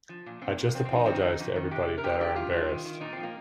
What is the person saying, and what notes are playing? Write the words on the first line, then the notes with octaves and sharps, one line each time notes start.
I just apologize to everybody that are embarrassed.
F3
A#2
A#2 C4
A#2
F3 C4
C4
F3 D#4
D#3 C4
D#4
D#3
F2
D#3
C3 G4
C3
A#4
F2 G4
F2 G4
G2 F4
D#3
D#3
D#3
A#2 D#4
F3 C4
A#3